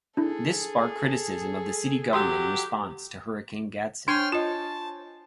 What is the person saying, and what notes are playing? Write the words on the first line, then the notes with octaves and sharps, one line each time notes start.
This sparked criticism of the city government in response to Hurricane Gaston.
D4 E4 G#4 A4
F#3 G4 C6 D#6 E6
D4 C5 C#5 G5 G#5 C6 F6
F4 D#5 A5